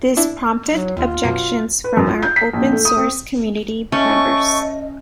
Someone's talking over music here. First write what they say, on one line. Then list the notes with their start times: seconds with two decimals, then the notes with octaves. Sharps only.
This prompted objections from open source community members.
0.17 D4 E4
0.72 F#3
0.97 D#2 F4
1.23 F#2 B2
1.84 B4
1.97 F#2
2.09 F4
2.23 G6
2.36 B6
2.53 A#1
2.72 A3
2.85 D#6
2.97 C4
3.92 A3 C#4 D#5 C#6